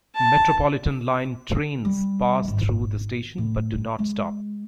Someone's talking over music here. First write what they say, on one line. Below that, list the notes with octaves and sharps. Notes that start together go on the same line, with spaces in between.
Metropolitan line trains pass through the station, but do not stop.
A5
G3
G#1
A2
G#3